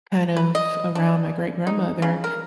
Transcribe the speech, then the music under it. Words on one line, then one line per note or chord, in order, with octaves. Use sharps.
kind of around my great-grandmother,
B4
D#5
D4
D#4
C#3
A#4